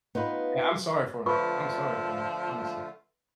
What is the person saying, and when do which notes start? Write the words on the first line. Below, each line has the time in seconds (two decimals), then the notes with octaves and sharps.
Yeah, I'm sorry for him, I'm sorry for him, honestly,
0.15 B3 D#4 F4 B4
1.26 D3 F3 A3 F4 B4 C#6